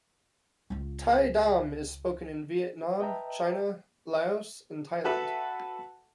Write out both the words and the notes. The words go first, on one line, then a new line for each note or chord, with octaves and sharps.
Tai Dam is spoken in Vietnam, China, Laos, and Thailand.
C#2 F4
B4 D#5 E5 G5 A5 A#5
F#4 A4 B4 E5 A5